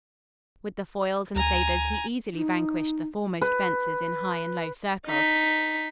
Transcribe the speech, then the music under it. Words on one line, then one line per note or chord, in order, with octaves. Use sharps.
With the foils and sabers he easily vanquished the foremost fencers in high and low circles.
D2 G#5 A#5
D#4
B4
D#4 B6